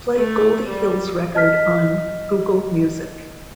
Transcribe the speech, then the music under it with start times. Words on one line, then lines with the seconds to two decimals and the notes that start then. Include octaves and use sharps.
Play Goldie Hill's record on Google Music.
0.17 A3
0.69 G3
1.35 D#5 A5 F6 B6